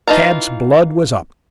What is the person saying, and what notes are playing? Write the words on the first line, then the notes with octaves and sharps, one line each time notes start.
Tad's blood was up.
E3 D#4 F4 A5 A#5